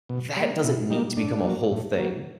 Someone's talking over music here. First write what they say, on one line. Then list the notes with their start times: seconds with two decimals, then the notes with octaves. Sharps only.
That doesn't need to become a whole thing.
0.09 B2
0.36 G3 A#3
0.64 B2 E4
0.90 G3 A#3 D#4
1.17 A2 D4
1.44 F#3 A#3
1.71 A2
1.97 F#3 A#3